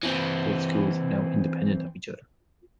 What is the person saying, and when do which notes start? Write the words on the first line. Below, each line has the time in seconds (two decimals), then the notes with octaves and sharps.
Both schools are now independent of each other.
0.03 E3 C4